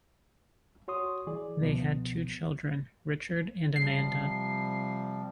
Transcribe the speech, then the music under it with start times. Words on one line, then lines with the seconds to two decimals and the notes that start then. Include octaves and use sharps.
They had two children, Richard and Amanda.
0.88 F#4 C#5 C6 D#6
1.27 E3 G#4 D5
1.60 C#2 B2 F3 B3
3.76 C3 F3 G3 C7